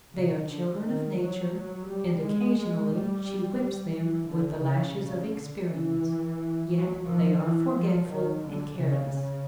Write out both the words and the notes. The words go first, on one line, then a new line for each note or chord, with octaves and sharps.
They are children of Nature, and occasionally she whips them with the lashes of experience, yet they are forgetful and careless.
C#3
D3
D#3
F#3
F#3
G3
G#3
G3
G3
E3
D3
C#3
C#3
D3
E3
F#3
F3
E3
F3
D#3
D3
C#3
C#3